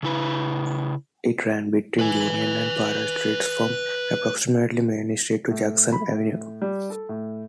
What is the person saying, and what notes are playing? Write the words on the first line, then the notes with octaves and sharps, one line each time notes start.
It ran between Union and Prior Streets from approximately Main Street to Jackson Avenue.
C#3 E4 B4
B4 G#5
A2
B5
A2
G3
A4
A2